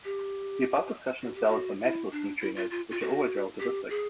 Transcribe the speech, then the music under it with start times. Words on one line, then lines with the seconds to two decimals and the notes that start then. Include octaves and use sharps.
The above discussion is valid for massless neutrinos, which are always relativistic.
0.05 G4
1.23 F#4
1.35 G4
1.48 F#4
1.82 E4
2.12 D4
2.41 E4
2.56 F4
2.71 F4
2.91 F4
3.00 F#4
3.60 G4
3.90 G#4